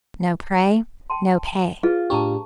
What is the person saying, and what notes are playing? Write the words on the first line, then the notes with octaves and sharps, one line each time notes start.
No prey, no pay.
G5 A5 C6
F4 G#4 B4 F5
A2 D4 G4 A5 A#5 C#6